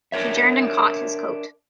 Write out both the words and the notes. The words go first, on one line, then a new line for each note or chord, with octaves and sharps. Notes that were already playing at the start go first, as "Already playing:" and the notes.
She turned and caught his coat.
D4 A#4 C#5 E5